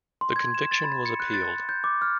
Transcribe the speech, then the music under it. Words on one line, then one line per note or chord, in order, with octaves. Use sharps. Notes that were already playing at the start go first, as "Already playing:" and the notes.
The conviction was appealed.
C6
G#6
E7
A6
B5
C#7
F#6
A6
G6
D6
F6